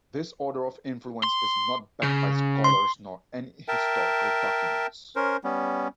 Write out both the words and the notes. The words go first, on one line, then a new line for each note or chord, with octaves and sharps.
This order of influence is not backed by scholars, nor any historical documents.
C6
C#3
C6
A#4 E5 G5 A5
C#4 A#4 C5
G3 B3 C#4